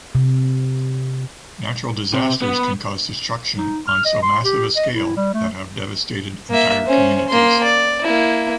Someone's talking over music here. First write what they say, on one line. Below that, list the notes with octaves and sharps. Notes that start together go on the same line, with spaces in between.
Natural disasters can cause destruction on so massive a scale that have devastated entire communities.
C3
C3
B3
D#4
F6
D#5
C6
G4
D#5
E4
G3
A3
A#3 E5
C#4 C5
A#3 C6
D5
A#3 E4